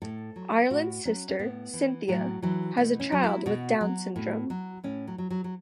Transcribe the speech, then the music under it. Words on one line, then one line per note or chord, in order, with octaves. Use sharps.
Ireland's sister, Cynthia, has a child with Down syndrome.
A2 A4
F#3
A2 F#4
F#3 C#4
C#4
A2 B3
E3
A2 F#3
E3 F#3
B2 A3
C#4
F#3
E4
B2 F#4
F#3
A2
F#3
A2 C#4
F#3
F#3
F#3
F#3